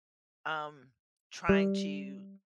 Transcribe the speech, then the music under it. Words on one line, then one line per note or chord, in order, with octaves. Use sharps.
um, trying to
G3